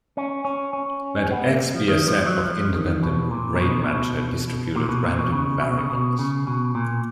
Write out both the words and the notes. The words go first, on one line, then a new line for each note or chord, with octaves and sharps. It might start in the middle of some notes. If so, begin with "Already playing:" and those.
Let "X" be a set of independent Rademacher distributed random variables.
C#4
C#4
C#4
B3
A#3
F3
D#3
F3
F#3
F3
D#3
B2
A#2
A#2
B2
A#2
B2
A#2
B2
A#2
B2
C#3
B2
C#3
B2
C#3
B2
A#2